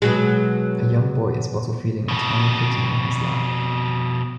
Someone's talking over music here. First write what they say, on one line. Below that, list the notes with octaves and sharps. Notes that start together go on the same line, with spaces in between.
A young boy is bottle feeding a tiny kitten in his lap.
B2 F#3 G#3
F2 B2